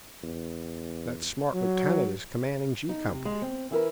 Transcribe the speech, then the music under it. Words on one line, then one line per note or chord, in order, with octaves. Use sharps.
That smart lieutenant is commanding 'G' Company.
E2
F#3
D#4
C3
G#3
C4
E3 E4 G#4 A#4 B4